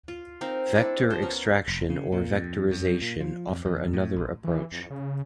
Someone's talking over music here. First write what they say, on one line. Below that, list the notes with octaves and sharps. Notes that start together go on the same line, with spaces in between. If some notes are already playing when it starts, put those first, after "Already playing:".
Vector extraction or vectorization offer another approach.
F4
C4 D#4 A#4 F5
D4 E4 A4
F3 C5
B3 C#4 A#4
F1
C#3
A#2
F2
F#2
A#2
F3
F2
E2
A2
A#1
E3
F2
C#3